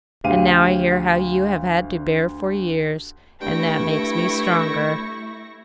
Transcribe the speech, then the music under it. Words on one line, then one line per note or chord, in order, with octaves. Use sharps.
And now I hear how you have had to bear for years, and that makes me stronger.'
D2 G4 F5 D#7
G2 A3 E4 G5 C#6 A#6